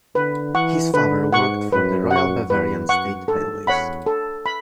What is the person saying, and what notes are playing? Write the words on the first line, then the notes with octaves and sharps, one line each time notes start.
His father worked for the Royal Bavarian State Railways.
D3 B4
E3 F#5 C#6
D3 B4
G#2 F#5 C#6
F#2 B4
F#5
C#6
E2 B4
F#2 F#5 C#6
G#2 A4
E2 C#5 F#5 B5
A4
B5